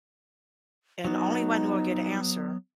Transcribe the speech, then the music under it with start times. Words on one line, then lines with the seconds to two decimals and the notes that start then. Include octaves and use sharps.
and the only way I knew I'd get a answer
1.05 F#3 B3 D#4